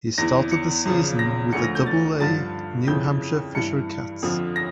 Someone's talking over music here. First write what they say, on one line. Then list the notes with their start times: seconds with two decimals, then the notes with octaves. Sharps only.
He started the season with the Double-A New Hampshire Fisher Cats.
0.18 E2 E3 A#6
0.51 C#7
0.85 E2 C#3 F3
1.19 A#6
1.53 D2 D3 F3 C#7
1.64 A#6
1.75 G6
1.86 A6
2.20 G2 D3 F3 A6
2.88 F2 C#3 E3 G6
3.55 G2 E3 C#7
4.22 F2 D3 F3
4.56 A#6